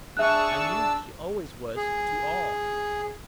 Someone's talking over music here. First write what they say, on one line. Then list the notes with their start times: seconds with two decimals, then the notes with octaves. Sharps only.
I knew she always was, to all.
0.17 D4 G#4 E5 A5 C#6 E6 F#6
1.77 G#4